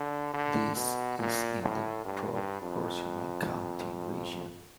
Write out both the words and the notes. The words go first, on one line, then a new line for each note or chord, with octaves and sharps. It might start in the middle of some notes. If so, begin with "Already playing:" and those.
This is in the "proportional counting" region.
Already playing: D3
D3
B2
A#2
A2
G2
G2
F2